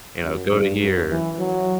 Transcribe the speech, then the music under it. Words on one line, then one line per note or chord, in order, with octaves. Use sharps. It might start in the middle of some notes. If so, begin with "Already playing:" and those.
you know, "go to here,"
F#2
G2
F#2
E3
F#3